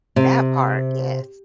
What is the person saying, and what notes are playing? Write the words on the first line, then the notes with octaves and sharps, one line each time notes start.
That part, yes.
C3